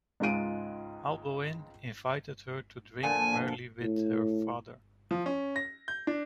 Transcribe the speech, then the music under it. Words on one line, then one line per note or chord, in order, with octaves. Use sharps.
Alboin "invited her to drink merrily with her father".
C#2 G#2 G#3 F4 D7 D#7
A#2 D3 F3 G#5
A2
F3
C#4
A#6
G6
D4